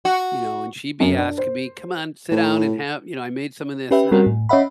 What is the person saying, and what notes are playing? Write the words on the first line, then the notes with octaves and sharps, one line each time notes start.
you know, and she'd be asking me, "Come on, sit down and have, you know, I made some of this sna"
F#4
F#2
D4
C5
A2
C#4 G4 B4 E5 G5
G3 C4 C#4 F#4 A#4
A2
C#4 C#5 D#5 E5 F#5 B5